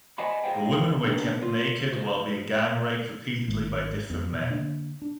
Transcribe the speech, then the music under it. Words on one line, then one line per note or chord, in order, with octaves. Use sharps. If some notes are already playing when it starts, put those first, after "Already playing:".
The women were kept naked while being gang raped repeatedly by different men.
C5 D5 D#5 F#5 G#5 B5
F#4 G#4 C5 F5 G5
A#3 B3 D4 D#4 G4
F4
F#4 C5
G#1 G#2 D#3
F2 F#3 B3
B2
D3 A#3 D4
D4